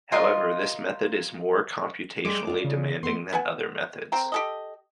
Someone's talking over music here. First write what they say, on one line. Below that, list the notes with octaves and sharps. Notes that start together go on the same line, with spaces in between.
However, this method is more computationally demanding than other methods.
F4 A#4 D#5 C6
G3 G#3 D6
D4 F4
C#3
A3 B3 C6
B3 F#5 G#5
C4 G5 A#5
G4 A4 D#5